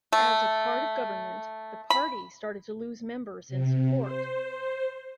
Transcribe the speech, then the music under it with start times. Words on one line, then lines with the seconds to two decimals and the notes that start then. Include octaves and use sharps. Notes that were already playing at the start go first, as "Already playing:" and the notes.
As a part of government, the party started to lose members and support.
0.13 A3
1.90 B5
3.48 C3
3.98 C5